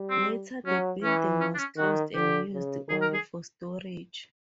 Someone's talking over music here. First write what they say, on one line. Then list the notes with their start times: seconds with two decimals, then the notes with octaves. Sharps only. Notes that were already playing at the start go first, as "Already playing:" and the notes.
Later the building was closed and used only for storage.
Already playing: G3
0.10 C4
0.66 F#3 C#4
1.03 E3 C#4
1.41 C#4
1.54 D4
1.59 C#4
1.77 D#3 F#4
2.14 D3 G4
2.53 C#3
2.89 D#3 G#4
3.02 A#4
3.14 G#4